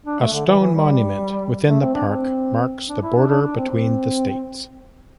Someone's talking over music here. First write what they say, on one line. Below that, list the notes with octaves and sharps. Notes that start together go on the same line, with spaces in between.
A stone monument within the park marks the border between the states.
D4
A3
D3
E3
E3
G3
A3
C4
D4
C4
D4
E4
D4
D4
D4
C4
C4